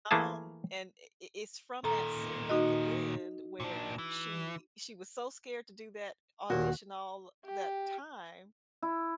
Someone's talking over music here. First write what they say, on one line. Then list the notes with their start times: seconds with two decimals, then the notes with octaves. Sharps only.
Um, and, i i it's from that scene at the end where she she was so scared to do that audition all that time,
0.11 E3 A3 A#3 G#4 A5
1.84 A#2 D#3 A4 A#5
2.49 D#4 F#4 D#5
3.60 A#2 D4
3.98 E3
6.50 D#2 A#2 F#4
7.45 G4
8.82 E4